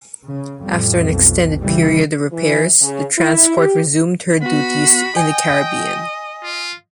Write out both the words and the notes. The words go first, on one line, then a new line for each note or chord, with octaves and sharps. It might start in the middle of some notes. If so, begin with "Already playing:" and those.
After an extended period of repairs, the transport resumed her duties in the Caribbean.
C#3
F2 A2 G3
B1
C#3 E3 G3
E3
C#3
E4
G4
B3 F#4 B5
D#5 G5 G#5
F4